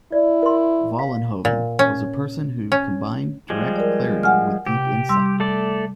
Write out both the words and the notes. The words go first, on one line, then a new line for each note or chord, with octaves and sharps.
Vollenhoven was a person who combined direct clarity with deep insight.
E4 D5
A#4 C6
F5
A#2
C#4
C#4
F3 G3 G#3
A#4 D5
F#5 G#5 F6
C3 G4
G3 C6 E6
A3 A4 D5